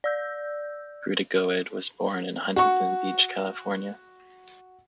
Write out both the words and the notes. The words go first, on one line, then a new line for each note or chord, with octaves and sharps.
Grootegoed was born in Huntington Beach, California.
D5 E6 G6
F#4 C#6